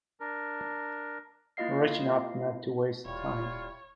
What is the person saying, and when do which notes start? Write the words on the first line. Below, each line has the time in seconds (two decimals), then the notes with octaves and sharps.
Rich enough not to waste time.
0.20 D4 A#4
1.57 A#3 E4 F4 D#5 F5 C7
3.05 D#1 G3 E4 F4 C#5